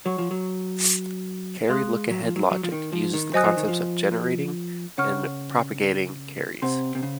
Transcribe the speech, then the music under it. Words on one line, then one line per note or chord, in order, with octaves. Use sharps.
Carry lookahead logic uses the concepts of "generating" and "propagating" carries.
F#3 C#5 F#5 C#6
F3
F#3
G#3 F5 C6 D#6 F#6
F#3
F3
F#3
F#3
F3
D#3
F3
D#3
F#3 C5 D#5 G#5 D#6 F#6
F3
D#3
F3
C#3 C#5 F#5 C#6 F6
C3 C5 F#5 C6
C3
C#3